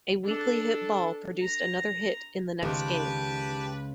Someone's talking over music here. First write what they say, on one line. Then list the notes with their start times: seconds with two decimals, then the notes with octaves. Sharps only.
A weakly hit ball produced another hit in the next game.
0.25 D4 A4
1.39 A#5
2.63 C#2 D#3 G4 B4 A5 D6